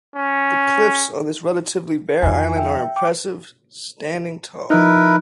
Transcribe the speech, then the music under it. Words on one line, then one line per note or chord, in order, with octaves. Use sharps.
The cliffs on this relatively bare island are impressive, standing tall.
C#4
F2 D#3 F4 G#5
E5 G5
G5 D6
F3 D#4 E4 A#4 B4